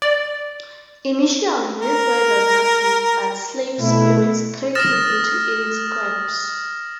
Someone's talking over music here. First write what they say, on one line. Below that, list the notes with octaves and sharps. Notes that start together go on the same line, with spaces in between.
Initially, this boy does not eat, but slave spirits trick him into eating scabs.
D5
A#4
B2 A3 E4
D#6 F6 A6 A#6 E7